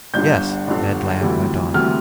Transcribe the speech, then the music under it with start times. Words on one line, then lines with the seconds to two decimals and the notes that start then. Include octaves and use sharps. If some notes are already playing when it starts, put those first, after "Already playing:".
"Yes," Ned Land went on.
0.14 G1 G2 D3 G6
0.67 G1 G2 D3
1.21 D2 C3 E3 G3
1.74 D2 C3 E3 G3 F6